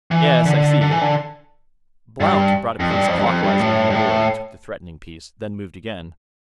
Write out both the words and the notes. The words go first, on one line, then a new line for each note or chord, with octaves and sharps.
"Yes, I see." Blount brought a piece clockwise around the board and took the threatening piece, then moved again.
E3
D3
D3
E3
D3
G2
F2
G2
F2
G2
F2
G2
A2
G2
A2